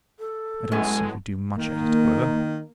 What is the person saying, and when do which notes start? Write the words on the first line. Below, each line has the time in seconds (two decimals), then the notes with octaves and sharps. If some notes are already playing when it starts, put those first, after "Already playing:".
I don't see you do much at it, however.
0.19 A4
0.72 F#2 A2 G#3 B3 G#5
1.58 D#3 A#3